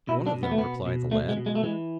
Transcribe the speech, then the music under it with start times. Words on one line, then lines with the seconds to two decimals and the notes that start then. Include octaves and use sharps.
"One of them," replied the lad.
0.08 B2 E4
0.26 D4
0.34 B2
0.43 B3
0.51 A3
0.58 B2 B3
0.86 B2
1.11 B2 A3
1.29 G#3
1.37 B2
1.46 G#3
1.55 A3
1.63 E3 G#3